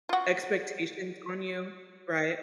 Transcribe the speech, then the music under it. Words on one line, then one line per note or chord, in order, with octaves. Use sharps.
expectations on you, right?
F4 F#4